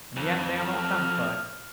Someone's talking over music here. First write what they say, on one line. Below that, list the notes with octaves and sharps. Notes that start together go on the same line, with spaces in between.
And yet they are not satisfied.
F2
F6